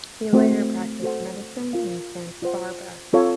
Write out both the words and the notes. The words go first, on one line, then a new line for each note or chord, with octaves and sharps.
He later practiced medicine in Santa Barbara.
A3 C4 F#4 C5
F#4 A4 C5 F#5
F4 A#4 F5
F4 C5 F#5
C4 F4 A4 C#5 F5